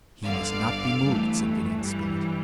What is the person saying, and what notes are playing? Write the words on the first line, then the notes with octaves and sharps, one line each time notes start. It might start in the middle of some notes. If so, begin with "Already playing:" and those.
"He must not be moved." said Gideon Spilett.
G1 G2 D3 D5 F5
G1 G2 E3 A3
G2 E3 G3